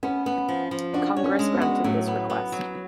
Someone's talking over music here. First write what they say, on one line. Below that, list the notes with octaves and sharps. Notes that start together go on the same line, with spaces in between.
Congress granted this request.
B3 C#4
B3
F3
F3
D4 F#4
C#5
C#4
G#3
B3
F#4
A2 F#3
B3
B3
F#3